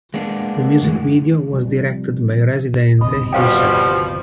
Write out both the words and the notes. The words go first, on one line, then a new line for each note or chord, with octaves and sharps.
The music video was directed by Residente himself.
G#3 A#3 B3 D4
F#2 A2 E3 G#3
C3 F3 G3
G1 D#2 C3 D#5 B5
B2 F3 G3 C5 F5 G5